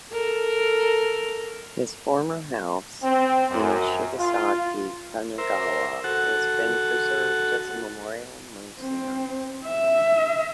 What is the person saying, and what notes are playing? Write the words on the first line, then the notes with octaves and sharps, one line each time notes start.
His former house in Chigasaki, Kanagawa has been preserved as a memorial museum.
A4 A#4
C4
F#2
F4
A#4 C5 E5
F#4 A4 F#5
C4
E5